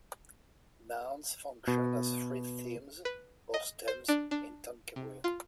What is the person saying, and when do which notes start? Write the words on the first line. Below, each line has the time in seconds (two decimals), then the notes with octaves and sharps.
Nouns function as free themes, or stems, in Tonkawa.
1.68 B2
3.05 B4
3.54 D#5
3.88 C5
4.09 D4
4.31 D4
4.96 C3
5.24 F4